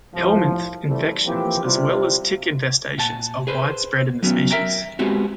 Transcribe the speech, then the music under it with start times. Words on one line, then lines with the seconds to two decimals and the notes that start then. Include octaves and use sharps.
Helminth infections, as well as tick infestations are widespread in the species.
0.13 C2 A2 F3
0.87 C3 E3 G3 A3 C4
1.25 E3 F3 A#3 C4 G4
1.64 C3 G3 E4 F4
2.98 A#2 F#5 A5
3.47 G#4 B4 C5
4.23 F#3 B3 C#4
4.51 A#4 E5 G5 A#5
4.99 G#3 B3 C4 F#4 G4